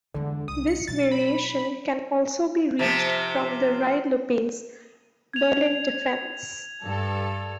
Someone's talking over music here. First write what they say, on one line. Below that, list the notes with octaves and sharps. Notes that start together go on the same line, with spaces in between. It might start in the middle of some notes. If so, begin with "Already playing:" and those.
This variation can also be reached from the Ruy Lopez, Berlin Defence.
E2 D3 G#3
C2 D#6
C#7
B2 F#3 A6
B5
C3 F3
G#6 F7
G2 A4